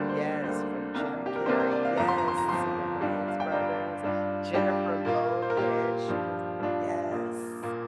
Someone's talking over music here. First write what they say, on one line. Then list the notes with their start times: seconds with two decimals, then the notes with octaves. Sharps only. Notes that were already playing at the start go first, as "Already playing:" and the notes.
Yes, from Jim Carrey Yes, to the Wayans brothers. Jennifer Lopez, she was Yes.
Already playing: D2 D3 G3 A#3
0.09 C5
0.43 D2 D3 G3 A#3 C5
0.95 C2 C3 A#3 D4
1.26 G4
1.36 A#4
1.46 C2 C3 A#3 D4 C5
1.60 C5
1.71 D5
1.85 F5
1.97 G1 F2 F3 A#5
2.08 C6
2.18 A#5
2.28 C6
2.38 A#5
2.48 G1 F2 F3 C6
3.01 G1 G2 G3 D4 F4
3.28 F5
3.40 G5
3.52 G1 G2 G3 D4 F4 A#5
4.03 G2 G3 D4 F4
4.54 G2 G3 D4 F4 G4
5.05 A#2 A#3 F4
5.42 C5
5.50 A#4
5.56 A#2 A#3 F4 G4
6.08 G2 F3 D4 F4
6.60 G2 F3 D4 F4
7.11 A#1 A#2 A#3
7.63 A#2 A#3